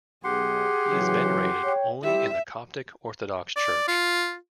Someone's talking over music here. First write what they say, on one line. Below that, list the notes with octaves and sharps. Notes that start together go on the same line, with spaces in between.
He is venerated only in the Coptic Orthodox Church.
B1 G4 G#4 F#5 C6
C#3 E3 F#3
C#5 G5
G3 C4 E4 E5
D5
F4